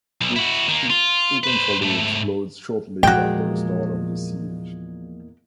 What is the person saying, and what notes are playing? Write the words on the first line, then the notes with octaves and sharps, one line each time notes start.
It/He eventually explodes shortly after the start of the siege.
B1
E4 F#4
D#3 A#3
F4
B4 C5
G#2 A3
E2 A#2 F3 G#3 F#4 G5